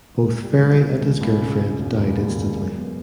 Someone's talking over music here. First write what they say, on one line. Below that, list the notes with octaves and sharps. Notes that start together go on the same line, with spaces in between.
Both Ferry and his girlfriend died instantly.
C#2
G3
C#2
B2
C#2
C#2
C#3
C#3
E1
E1
D#2
D#2
F#2
B3